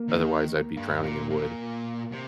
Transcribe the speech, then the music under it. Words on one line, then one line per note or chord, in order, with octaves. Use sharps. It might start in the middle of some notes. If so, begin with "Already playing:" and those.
otherwise I'd be drowning in wood.
Already playing: A#3
D#3
G2
A#2
A#2
C3